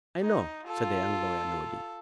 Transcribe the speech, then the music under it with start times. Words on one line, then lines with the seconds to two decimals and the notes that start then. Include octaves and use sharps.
"I know," said the young lawyer, nodding.
0.22 D#4
0.67 F4 A4